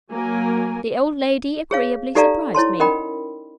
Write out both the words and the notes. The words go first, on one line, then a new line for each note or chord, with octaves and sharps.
The old lady agreeably surprised me.
F#3 A#3 A#4 G#5
G#4 C#5 F5
D#4 G4 A4 D5 F5 A#5
E4 C#5 A5 C6
C#4 D#4 A#4 D#5 G5 B5